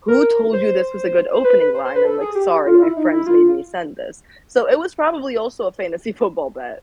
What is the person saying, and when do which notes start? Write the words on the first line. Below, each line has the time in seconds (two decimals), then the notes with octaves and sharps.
"Who told you this was a good opening line?" I'm like, "Sorry, my friends made me send this." So it was probably also a fantasy football bet.
0.08 A#4
0.53 C5
1.33 C5
1.45 B4
1.60 B4
1.74 C5
1.85 C5
1.95 B4
2.05 A4
2.20 G#4
2.35 G4
2.66 F4
2.82 E4
2.96 D#4
3.11 E4
3.26 F4